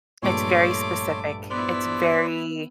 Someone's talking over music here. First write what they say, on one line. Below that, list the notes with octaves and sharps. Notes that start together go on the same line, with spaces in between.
it's very specific, it's very
A#1 G2 A3 C#5 C6 D6
B3 E4 C5 D5